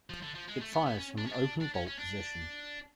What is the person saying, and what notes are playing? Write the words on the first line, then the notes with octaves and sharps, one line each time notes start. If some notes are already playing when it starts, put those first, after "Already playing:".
It fires from an open bolt position.
F3
D3
F3
G#3
A3
B3
B3
C#4
D4
C#4
D4
D4
C#4
C#4
D4